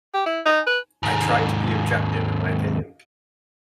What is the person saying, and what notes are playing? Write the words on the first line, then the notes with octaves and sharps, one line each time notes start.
I try to be objective in my opinion.
G4
E4
D#4
B4
D#2 G#2